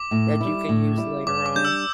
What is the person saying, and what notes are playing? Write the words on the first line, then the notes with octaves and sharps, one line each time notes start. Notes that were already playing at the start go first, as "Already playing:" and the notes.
that you can use later on.
Already playing: D6
A2
G3 E4
A2
G3 E4
G2 D6
D6
G3 D4 G6
E6